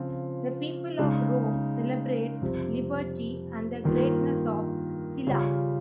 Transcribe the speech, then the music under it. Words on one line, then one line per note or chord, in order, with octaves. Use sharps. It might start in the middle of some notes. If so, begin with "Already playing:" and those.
The people of Rome celebrate liberty and the greatness of Silla.
Already playing: C#3 F3 C4 F4
C#3 G#3 D#4
F2 C3 G3 C4
G2 D#3 A#3 F4
C#3 G3 C#4 F4